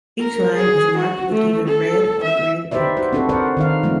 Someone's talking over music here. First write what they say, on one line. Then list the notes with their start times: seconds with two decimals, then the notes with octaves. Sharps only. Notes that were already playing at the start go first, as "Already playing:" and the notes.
Each line is marked with either red or green ink.
0.20 A#4
0.56 G#4
0.98 F#4
1.33 A3
1.68 A4
2.24 E5
2.71 D#4 G4 B4 C5 D5 E5
2.97 F#4 C5
3.13 C4 D4 F#4 A4 B4
3.29 A#4 C5 D5 F#5
3.57 D#3 D#4 F5
3.83 F3 A3 C4